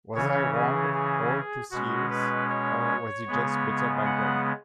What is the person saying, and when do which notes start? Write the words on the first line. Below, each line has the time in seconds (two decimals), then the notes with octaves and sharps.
Was I wrong all those years, or was he just better back then?
0.15 C#3 E3 C#4 C#5
0.55 G#4
0.94 G#4
1.71 B2 G#3 C#4 F#4
2.10 B4
2.50 C#5
3.27 C#3 G#3 B3
4.06 F#5